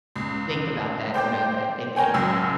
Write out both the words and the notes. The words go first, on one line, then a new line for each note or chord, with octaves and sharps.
think about that or know that. They think,
C#2
C5 G5 D6 G6
A#4 C#5 G5 G#5
F#1 C#2 F#3 E6 F6